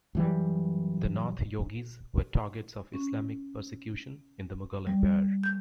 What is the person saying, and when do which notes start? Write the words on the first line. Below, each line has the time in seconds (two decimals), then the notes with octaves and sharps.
The Nath Yogis were targets of Islamic persecution in the Mughal Empire.
0.15 F#2 E3 G3
2.94 C#4
4.87 G3
5.43 G6